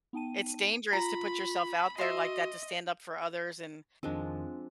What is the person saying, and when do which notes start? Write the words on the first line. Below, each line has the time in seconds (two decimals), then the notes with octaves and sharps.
It's dangerous to put yourself out there like that, to stand up for others, and
0.13 B3 D#4 G5 A5 D#7
0.93 F4 A#5 B5
1.98 F#4 D#5 E5 C6
4.03 F2 D#3 F3 G#3 C4 D4